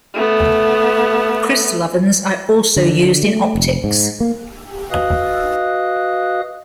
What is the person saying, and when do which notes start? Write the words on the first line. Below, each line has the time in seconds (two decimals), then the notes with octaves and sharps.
Crystal ovens are also used in optics.
0.14 A3 B3
2.76 D3
3.23 A3
3.55 F1
3.84 G#2
4.20 A#3
4.90 F#4 B4 D#5 F5 D#6 F#6